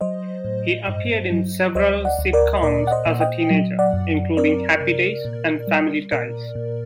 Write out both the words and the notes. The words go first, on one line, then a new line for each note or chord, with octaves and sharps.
He appeared in several sitcoms as a teenager, including "Happy Days" and "Family Ties".
F#3 C5 D#5
A2
G2
F#3
D2 C5 D#5
D5 F#5
D2
A#4 D5
D#5
A#2 A#4 D5
F#5
C5 D#5
A#2
D#5 G5
F#3
D5 F#5
F#2
C4 A#4 D5
C3
A#2
G3
A#2 A#4 D5
A#2